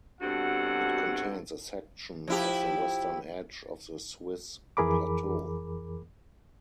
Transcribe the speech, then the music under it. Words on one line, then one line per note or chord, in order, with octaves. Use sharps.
It contains a section of the western edge of the Swiss Plateau.
G2 B2 C4 F#4 A4 F#5
F3 E4 G4
F2 E3 G#4 A#4 B5 D6